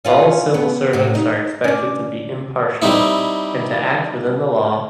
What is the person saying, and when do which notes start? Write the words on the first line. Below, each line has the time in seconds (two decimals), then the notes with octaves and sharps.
All civil servants are expected to be impartial, and to act within the law.
0.05 C#4 F4 B4
0.54 B3
0.93 A2 F#3
1.15 D#4
1.64 C#4 D4
2.82 G3 C4 D#4 E4